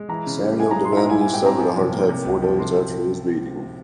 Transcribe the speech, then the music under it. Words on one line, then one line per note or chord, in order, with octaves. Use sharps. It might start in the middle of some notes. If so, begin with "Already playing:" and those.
Samuel Devenny suffered a heart attack four days after his beating.
Already playing: G#3
E3 A#5
C#3
G3
G#3 G#5
A#5
G#4
C6
E4
A#5
G3 G#5
G#5
G#2
G5
C4 A#5
F3 G#5
C3
A#3
C3
C#2
F3
C3 C6